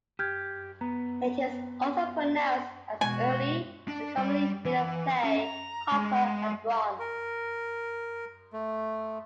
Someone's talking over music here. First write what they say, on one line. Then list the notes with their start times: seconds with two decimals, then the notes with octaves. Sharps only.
It is also pronounced as Urli and commonly made of clay, copper and bronze.
0.19 G4 F6 G6 G#6
0.81 B3 A#5
2.21 D5
3.01 B2 G#3 B3 F#4 G#5
3.88 D4
4.18 G3
4.65 E3
5.24 C#4
5.39 A#5
5.92 G#3
6.99 A#4
8.53 A3